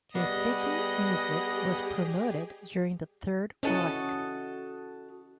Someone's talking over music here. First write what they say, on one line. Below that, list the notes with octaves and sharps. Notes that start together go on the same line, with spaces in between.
Draeseke's music was promoted during the Third Reich.
G3 B3 G4 G#4 D#5 F#5
C#4 E4 F#4 A4 D#5